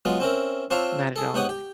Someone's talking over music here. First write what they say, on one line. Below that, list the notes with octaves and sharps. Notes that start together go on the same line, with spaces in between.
not at all,
F#3 G#3 B3 F4
C4 C#4 E4 A#4
C4 D4 F4 C#5 E5 F5
G#4 A4
G#2 B3 G4 C#5 F#5 D#6
G4